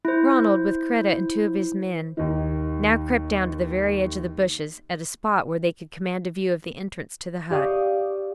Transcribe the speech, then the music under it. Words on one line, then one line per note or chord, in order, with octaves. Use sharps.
Ronald, with Kreta and two of his men, now crept down to the very edge of the bushes at a spot where they could command a view of the entrance to the hut.
E4 C5
D#2 D#3
G4 D5 F5 C#6 D#6